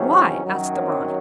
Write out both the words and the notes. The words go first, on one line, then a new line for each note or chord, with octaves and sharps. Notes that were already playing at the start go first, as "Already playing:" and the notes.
'Why?' asked the ranee.
Already playing: E2 C3 D#3 F#3 C#4
F#2 D#3 F#3
C4